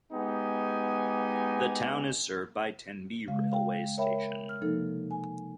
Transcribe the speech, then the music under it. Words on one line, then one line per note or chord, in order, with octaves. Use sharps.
The town is served by Tenby railway station.
G#3 B3 D#4 G4 G#5
C#3 G#3 F5
F5 G5
A#4 C#5 E5 G5 B5
F6
C3 F3 A#3 D#4 A4
G#5